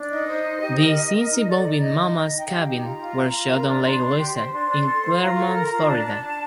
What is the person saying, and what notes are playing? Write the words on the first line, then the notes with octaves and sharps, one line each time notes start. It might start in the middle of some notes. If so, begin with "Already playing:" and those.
The scenes involving mama's cabin were shot on Lake Louisa, in Clermont, Florida.
Already playing: D4
D#4 D#5
C5
D#4
G4
A#4
D#4
A#4
D#4
A4 D5
D#4
D#4 D#5
D#4
D#4
D#4
G5
G4 F5
G5
D#4
G5
F4 A#5
F4
F4
F4
A#4
D4
D4 C6
D4
G4
C5
D4 C6
D4
A4
C5
F4 A#5
A4
A#4
F4
D4 A5
D4
D4